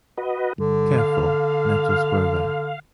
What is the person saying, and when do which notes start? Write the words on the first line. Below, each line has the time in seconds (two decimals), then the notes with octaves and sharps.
Careful, nettles grow there.
0.17 F#4 B4 D#5
0.58 G2 D3
0.98 F5